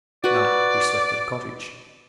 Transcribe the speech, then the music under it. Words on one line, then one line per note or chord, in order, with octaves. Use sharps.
At night we slept at a cottage.
F#4 B4 D5